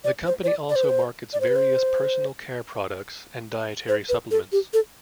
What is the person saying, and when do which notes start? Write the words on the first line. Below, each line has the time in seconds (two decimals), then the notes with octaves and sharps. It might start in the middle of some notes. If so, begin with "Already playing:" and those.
The company also markets various personal care products and dietary supplements.
0.04 D5
0.26 C5
0.44 C5
0.48 D5
0.69 D5
0.76 C5
0.83 B4
0.89 C5
1.33 D5
1.41 C5
1.48 B4
1.56 C5
3.88 C5
4.09 B4
4.31 A4
4.52 G4
4.73 A4